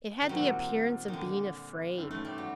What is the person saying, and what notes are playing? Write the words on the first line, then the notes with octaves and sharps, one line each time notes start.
It had the appearance of being afraid.
D#3
A#2 F#3 G3 C4 F#4
D#3
D3
G1 F#2 D#3
A3
G3
F#3